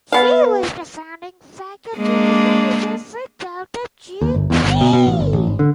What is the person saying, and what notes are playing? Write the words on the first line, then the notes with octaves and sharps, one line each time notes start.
She was the founding faculty advisor for Delta Chi Xi.
B3 F5
G#3 A#3 D4
D#2
G1
E2
G1
B2
B2
A1
G1
A1
G#1
D3